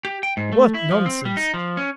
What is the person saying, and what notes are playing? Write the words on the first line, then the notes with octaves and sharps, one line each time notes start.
"What nonsense!"
G4
G5
G#2
A3
E4
F3
C4
G3
D#4
F3
C#4